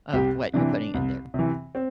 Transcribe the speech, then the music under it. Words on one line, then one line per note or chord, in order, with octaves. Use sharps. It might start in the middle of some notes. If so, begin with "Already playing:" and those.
of what you're putting in there.
C2 G4
C3 E3 D4
C2
C3 E3
C4